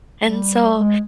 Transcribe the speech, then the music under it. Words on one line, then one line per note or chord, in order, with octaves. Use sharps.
And so
G3
G#3